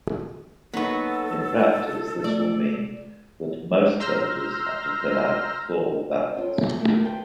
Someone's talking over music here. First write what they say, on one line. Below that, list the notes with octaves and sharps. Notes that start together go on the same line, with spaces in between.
In practice this will mean that most voters had to fill out four ballots.
F#3 A#3 B3 D#4 A4 C#6
A3 D5
A#5 C6 E6 F6 G6 A#6
C4 C#4 F4 A4
G#4 E5
A3 A#3 E4
A4 B4 C5 G5 A5